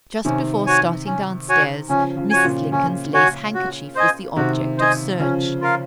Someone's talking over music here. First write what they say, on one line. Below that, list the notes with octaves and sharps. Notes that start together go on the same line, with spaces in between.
Just before starting downstairs, Mrs. Lincoln's lace handkerchief was the object of search.
C3 D#3 C#4
F#4 C#5 G#5
C#4
F#4 C#5 G#5
C#3 F3 C#4
C#3 F3
F#4 C#5 G#5
A#2 C#3
A#2 C#3 C#4
F#4 C#5 G#5
F#4
C5 D#5 G#5
C3 D#3 F#4
C5 D#5 G#5
C#3 F3 C#4
F4 A#4 F5